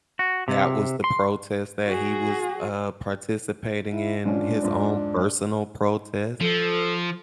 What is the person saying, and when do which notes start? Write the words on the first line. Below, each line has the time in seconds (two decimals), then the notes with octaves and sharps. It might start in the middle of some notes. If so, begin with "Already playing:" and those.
That was the protest that he was, uh, participating in, his own personal protest.
0.19 F#4
0.48 C3
1.04 C6
1.87 F#4 G#4
3.93 E4
4.26 G#2 C#4 D4 F4
4.63 F2 G#2
6.40 F3 A4